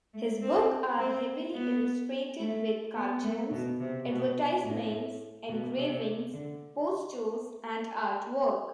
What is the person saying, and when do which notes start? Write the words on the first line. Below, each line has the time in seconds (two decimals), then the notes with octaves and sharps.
His book are heavily illustrated with cartoons, advertisements, engravings, posters and artwork.
0.14 A3
0.42 C4
0.98 C4
1.54 B3
2.39 A3
2.95 B3
3.23 A3
3.51 B2
3.79 C3
4.08 B2
4.64 A2
5.49 B2
5.76 C3
6.33 D3